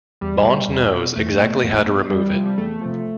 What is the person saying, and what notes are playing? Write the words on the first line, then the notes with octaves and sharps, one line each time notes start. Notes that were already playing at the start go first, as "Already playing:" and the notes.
Bond knows exactly how to remove it.
E2 G3
B2
E2
B2
E2 A3
B2
E2
B2
E2 G3
C3 F3
G3
E2 A3
C3 F3